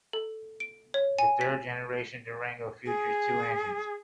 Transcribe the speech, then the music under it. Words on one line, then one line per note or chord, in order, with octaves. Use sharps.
The third-generation Durango features two engines.
A4
D7
C#5
G#5
B6
G#4